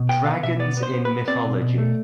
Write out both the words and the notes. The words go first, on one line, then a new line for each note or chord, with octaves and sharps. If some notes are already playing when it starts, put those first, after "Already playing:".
Dragons in mythology.
Already playing: B2
B3 G5
B3 F5
B2 E5
B3 D5
B3
C5
B3
B4
B3
C4 D5
B2
B2
A3